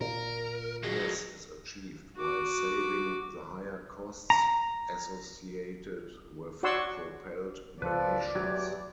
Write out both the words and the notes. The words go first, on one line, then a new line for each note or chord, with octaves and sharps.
This is achieved while saving the higher costs associated with propelled munitions.
A#2 A#4
F#3 G#3
F#4 D6
A#5
F#4 C#5 D5 F#5 C6 E6
C#2 F3 A4 B4 D5
E2 F#3 G4